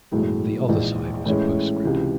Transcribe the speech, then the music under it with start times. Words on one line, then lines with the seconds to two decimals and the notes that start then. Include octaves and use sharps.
On the other side was a postscript.
0.11 B1 A2 E3 G#3
0.68 A#1 G#2 E3
1.26 A2 E3 G#3 C#4 E4
1.83 C#2 C3 E3